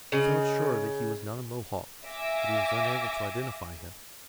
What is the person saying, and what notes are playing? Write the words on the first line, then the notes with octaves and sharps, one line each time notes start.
He felt sure that he was not a Mohawk, but he was unable to identify him.
C#3 D#5
E5 F5 G#5 D6 A#6